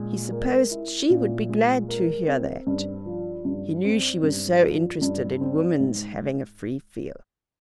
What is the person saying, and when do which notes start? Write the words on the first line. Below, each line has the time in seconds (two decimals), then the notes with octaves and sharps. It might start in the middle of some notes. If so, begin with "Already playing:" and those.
He supposed she would be glad to hear that--he knew she was so interested in woman's having a free field.
Already playing: A#2 G#3
0.31 A#4
0.71 E4
1.10 A#2
1.49 G#3
1.88 A#4
2.27 C4
2.67 G2
3.06 F3
3.45 G2
3.84 C4
4.23 G2
4.63 F3
5.02 G2
5.41 C4
5.80 G#2